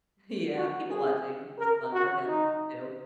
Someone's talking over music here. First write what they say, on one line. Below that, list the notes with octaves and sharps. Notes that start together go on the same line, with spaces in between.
Yeah, people watching was fun for him too.
F#4
G#4
A#4
F#4
D#4